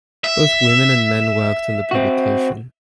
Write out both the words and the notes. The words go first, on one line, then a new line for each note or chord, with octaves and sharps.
Both women and men worked on the publication.
E5
C4 F#4